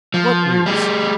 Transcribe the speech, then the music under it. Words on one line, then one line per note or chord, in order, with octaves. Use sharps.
"What news?"
F3
G3 G#4